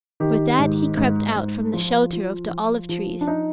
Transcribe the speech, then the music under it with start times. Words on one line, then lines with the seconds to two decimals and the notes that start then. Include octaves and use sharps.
With that he crept out from the shelter of the olive-trees.
0.20 D#3 G4
0.59 G#2
0.97 G#2
1.36 G#2
1.73 F3 F4
2.13 F3
2.51 F3
2.89 F3
3.21 D4
3.27 D#4